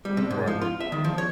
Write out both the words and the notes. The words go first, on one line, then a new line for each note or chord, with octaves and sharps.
Right, right.
G3
C3
G#2
F3
F4
E5
D#3
F3
C#5